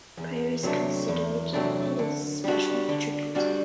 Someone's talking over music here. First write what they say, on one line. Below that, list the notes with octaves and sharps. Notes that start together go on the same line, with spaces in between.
Prayer is considered his special attribute.
E2
C3 F#3 A3 D4
E2
C3 F#3 A3 D4
D3
G3 D4 F#4
D3
G3 D4 F#4